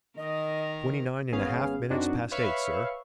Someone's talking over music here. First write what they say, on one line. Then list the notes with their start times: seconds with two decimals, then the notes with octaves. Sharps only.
"Twenty-nine and a half minutes past eight, sir."
0.17 D#3 A#4 D#5
1.32 G#1 B3 C#4 G#4 F5
1.90 F#2 C4 D4 D#4 F#4
2.31 B4 C#5 E5 F5 B5 C#6